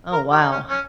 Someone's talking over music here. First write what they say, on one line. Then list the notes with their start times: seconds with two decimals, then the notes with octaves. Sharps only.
Oh, wow.
0.13 A#4
0.31 G4
0.41 D#4
0.51 C#4
0.70 C#4